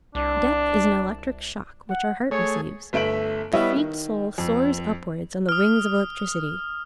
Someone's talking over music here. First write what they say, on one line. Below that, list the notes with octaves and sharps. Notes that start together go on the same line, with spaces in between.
Death is an electric shock which our heart receives; the freed soul soars upwards on the wings of electricity.
C2 D4
F#5
A3 G#4 C#5
G1 A3 E5 D7 F#7
G3 B3 E4 C#5 D#5 E5
D#3
F2
D#6 F6